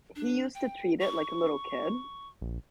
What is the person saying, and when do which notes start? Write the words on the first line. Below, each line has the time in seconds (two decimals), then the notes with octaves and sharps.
He used to treat it like a little kid.
0.16 D4
0.55 G5
1.00 C#6
2.41 A#1